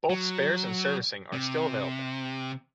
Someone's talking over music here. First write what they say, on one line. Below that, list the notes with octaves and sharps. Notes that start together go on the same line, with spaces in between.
Both spares and servicing are still available.
F#3
C3